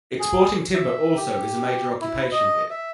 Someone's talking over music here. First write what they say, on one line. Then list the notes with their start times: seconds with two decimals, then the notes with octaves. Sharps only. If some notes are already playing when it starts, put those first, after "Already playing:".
Exporting timber also is a major occupation here.
0.19 G#4
0.74 E5
1.17 G4
2.01 E4
2.32 D#5
2.70 E5